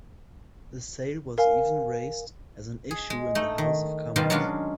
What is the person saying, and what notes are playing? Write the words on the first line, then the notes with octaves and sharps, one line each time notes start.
The sale was even raised as an issue in the House of Commons.
A#4 F5 G#5
G#4
G#3
A3 D#4
D#3
B2 D#3 G3 F4
F#3 G#3 C#4 D4 F4 F#4